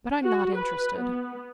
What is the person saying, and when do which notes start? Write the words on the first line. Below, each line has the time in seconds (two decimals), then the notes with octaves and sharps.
But I'm not interested.
0.24 F#4
0.56 B4
0.99 B3